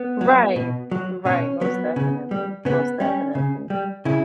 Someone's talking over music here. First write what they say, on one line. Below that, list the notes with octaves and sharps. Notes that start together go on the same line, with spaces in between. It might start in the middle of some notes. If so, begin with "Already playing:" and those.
Right. Right, most definitely, most definitely.
Already playing: B3
F#3
B2
F#3
B2 C#4
F#3 B3
C#3
G3
C#3 B3
G3 C#4
C#3
G3
C#3 E4